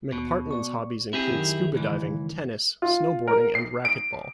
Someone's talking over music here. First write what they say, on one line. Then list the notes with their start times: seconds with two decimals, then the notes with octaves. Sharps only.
McPartlin's hobbies include scuba diving, tennis, snowboarding and racquetball.
0.12 D#2 B2
0.51 D5 C#6
1.13 C4 E4 G4 G#4
1.30 F#2 D#3
1.75 C#2 E3
2.82 F4
3.28 A#4
3.55 C7
3.85 D7